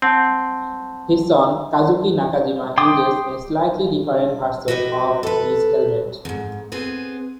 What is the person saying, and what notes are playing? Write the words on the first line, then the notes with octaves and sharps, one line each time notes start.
His son Kazuki Nakajima uses a slightly different version of this helmet.
C4 F#5 A5 C6
G5 C6 D6 D#6
F#4 G4 B4 C#5 D#5
A4 B4
E2 G#2
B3 C4 G#4